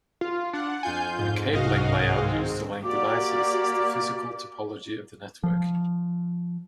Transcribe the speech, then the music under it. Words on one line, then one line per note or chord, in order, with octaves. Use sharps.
The cabling layout used to link devices is the physical topology of the network.
F4
D4 F#5
F2 F4 G#5 G6
G#2
C2 G2 F#4 D#5 F5
D#3 G#3 C4
A#3 F#4 G4 D5 D6
F3